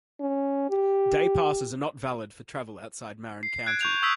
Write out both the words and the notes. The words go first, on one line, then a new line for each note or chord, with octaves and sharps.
Day passes are not valid for travel outside Marin County.
C#4
G4
C7
F#6 G#6 D7
C#6 G6 F7
C#6 D#6 E6 G#6 B6